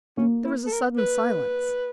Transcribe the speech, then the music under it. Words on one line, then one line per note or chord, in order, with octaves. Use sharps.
There was a sudden silence.
A#3 C#4
E4
A4
A#4
B4